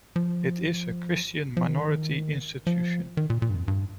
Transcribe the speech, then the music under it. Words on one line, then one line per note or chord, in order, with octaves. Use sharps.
It is a Christian minority institution.
F3
F3
D#3
F3
D#3
A#2
A#2
G2
F2
G2